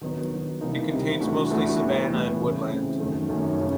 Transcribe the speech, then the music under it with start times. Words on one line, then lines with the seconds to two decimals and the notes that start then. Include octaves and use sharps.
It contains mostly savanna and woodland.
0.01 D#3 F#3 B3 D#4
0.31 D#3 F#3 B3 D#4
0.61 C3 E3 G3 A#3 D#4
0.91 C3 E3 G3 A#3 D#4
1.20 E3 A3 D4 F#4
1.50 E3 A3 D4 F#4
1.80 A2 E3 G3 B3
2.10 A2 E3 G3 B3
2.40 C#3 E3 A3 C4
2.70 C#3 E3 A3 C4
2.99 F#2 D#3 F#3 A3
3.29 F#2 D#3 F#3 A3
3.59 C#3 F#3